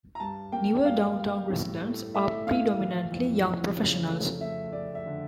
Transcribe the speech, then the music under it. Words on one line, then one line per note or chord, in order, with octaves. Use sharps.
Newer downtown residents are predominantly young professionals.
A#5
G2 A5
A#3 G5
G2 F5
G2
A2
A3
A3 E5
A2 F5
E3
F2
F2
C#3
A3
A3 E5
A3 D5
E5
D3